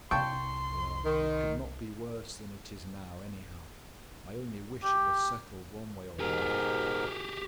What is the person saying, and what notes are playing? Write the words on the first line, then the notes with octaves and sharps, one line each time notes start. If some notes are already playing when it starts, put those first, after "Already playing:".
"Well, it could not be worse than it is now, anyhow; I only wish it was settled one way or another."
C2 G5 A5 C6 C#6
D#3
G4
G#2 B2 G4 G#4 A#4